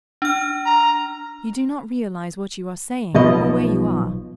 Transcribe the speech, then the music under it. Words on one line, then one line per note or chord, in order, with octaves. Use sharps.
You do not realize what you are saying or where you are.
D4 F6
A#5
B1 B2 F3 D#5